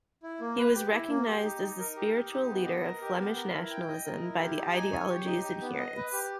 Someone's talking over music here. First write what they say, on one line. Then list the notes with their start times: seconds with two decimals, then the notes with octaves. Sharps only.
He was recognised as the spiritual leader of Flemish nationalism by the ideology's adherents.
0.23 E4
0.40 A#3
0.58 B4
0.75 G4
0.92 E4
1.09 A#3
1.28 G4
1.44 D#4
1.61 D#4
1.80 A#4
1.96 G4
2.14 D#4
2.32 G4
2.49 B3
2.66 D#5
2.83 A#4
3.01 G4
3.18 B3
3.36 A#4
3.53 E4
3.71 G5
3.88 D#5
4.05 A#4
4.22 E4
4.39 G4
4.57 D#4
4.74 G#5
4.92 C#5
5.09 G4
5.26 D#4
5.44 G4
5.61 B3
5.79 D#5
5.96 B4
6.13 G4